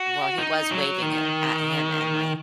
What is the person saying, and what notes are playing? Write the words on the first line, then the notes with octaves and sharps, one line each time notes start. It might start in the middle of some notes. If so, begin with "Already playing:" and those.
well, he was waving it at him and my
Already playing: F#4
D#4
F#3
D#3